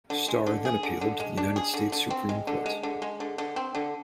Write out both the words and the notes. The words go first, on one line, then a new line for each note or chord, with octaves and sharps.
Starr then appealed to the United States Supreme Court.
D3
G#3
D3
G#4
D3
D3
G#3
D4
G#4
D3
D3
C4
G#3
D3
G#3
D3
G#3
D3
D3
C4
D3